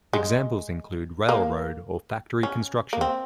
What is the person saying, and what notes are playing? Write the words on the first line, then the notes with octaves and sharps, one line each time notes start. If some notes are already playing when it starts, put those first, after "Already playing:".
Examples include railroad or factory construction.
G#3
A#3
C#4
A#3
C4